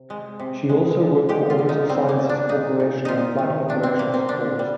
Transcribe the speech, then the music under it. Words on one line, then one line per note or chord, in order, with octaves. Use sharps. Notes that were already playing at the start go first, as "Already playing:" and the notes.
She also worked for Orbital Sciences Corporation in flight operations support.
Already playing: C3
G#3
C3
G#3
D3
G#3 G4
F4
D3
D#4
G3 C4
A#3
A#2
D4
A#2 D#4
A#2
C3 D#4 F4
D#3
C3 D4
C4
C3 A#3
C4
D3 D4
G3